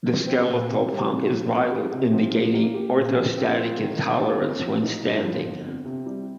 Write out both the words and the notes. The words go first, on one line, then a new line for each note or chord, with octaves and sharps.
The skeletal pump is vital in negating orthostatic intolerance when standing.
F3
C4
A#2
C3
G3
C2
F3
C4
G4
C3
F3
A#3
A#3
G4
A#2
F3
C4
F4
D#3
A#3
D#4
F2
F3
D#4
G2
F3
G1
F2
C3
G3